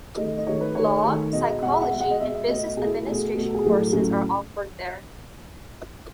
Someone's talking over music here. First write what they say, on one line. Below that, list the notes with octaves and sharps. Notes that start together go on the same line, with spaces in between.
Law, Psychology and Business Administration courses are offered there.
D#3 A3 D#5
D#5
D#3 A3 C#5
B4
D#3 A3 C#5
D#3 A3
B2 G#3 D#5
B2 G#3 F#5
E5
F#5
B2 G#3 E5
F#5
D#5
B2 G#3 E5
E5
B2 A3 D#5
B2 A3 G#4
E4
E4
B2 A3 G#4
B2 A3
A4
G#4
A2 F#3 A3
A2 F#3 A3 C#4